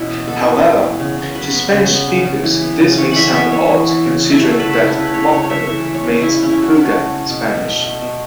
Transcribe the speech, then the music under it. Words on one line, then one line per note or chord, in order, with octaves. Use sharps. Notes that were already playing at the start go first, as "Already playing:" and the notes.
However, to Spanish-speakers, this may sound odd, considering that "moco" means "booger" in Spanish.
Already playing: B2 E3 C#4 E4
B3
B3 A4
E3
E3
B3
C#3
C#3
F#3 B4
B3
C#3
B3
C#3
C#3
E3
B3
C#3
E3 C#5
E3 E5 F#5
B3 E5
B3 C#5
E3
E3
C#3
C#3
E4
A3 F#4
A4
A3 B4
C#3 A4
E4
C#3 B4
B4
A3 C#5
C#3 C#5
C#5
C#3 E5
E3 E5
A3
C#5
C#3
C#3 E4
E4
C#3 C#4
E4
A3 F#4
A3 F#4
C#3
C#3
B2
B2
A3
A3
B2